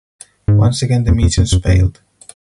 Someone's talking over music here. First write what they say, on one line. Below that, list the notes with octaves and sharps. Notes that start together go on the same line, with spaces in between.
Once again the missions failed.
G#2
F2
F2
F#2
F#2
F#2